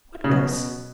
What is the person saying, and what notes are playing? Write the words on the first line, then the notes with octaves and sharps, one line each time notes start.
What else?
C#3
B2